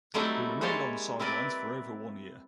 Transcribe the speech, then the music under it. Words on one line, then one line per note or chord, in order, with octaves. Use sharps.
He remained on the sidelines for over one year.
F#3 G3 A3 C4 D#4 E4
G3 G#3 A#3 C#5 A5 C6
C4 E4 A#4 B4 D5